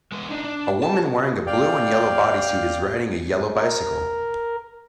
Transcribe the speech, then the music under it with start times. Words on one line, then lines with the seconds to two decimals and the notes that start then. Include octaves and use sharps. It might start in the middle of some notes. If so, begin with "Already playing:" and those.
A woman wearing a blue and yellow bodysuit is riding a yellow bicycle.
0.12 G#3 B3
0.31 D4 D#4
0.44 D4
0.83 A5
1.47 D5 F5 G5
3.60 A#4